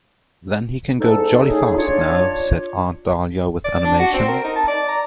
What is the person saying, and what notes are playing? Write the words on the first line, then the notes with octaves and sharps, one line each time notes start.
"Then he can go jolly fast now," said Aunt Dahlia with animation.
E2 G#2 D#4 A4
C#3 A3 D#4 G#4
D4 F4 C#5
D5
D4
F#4
C4
A#4
D#4
A5
D5
A#5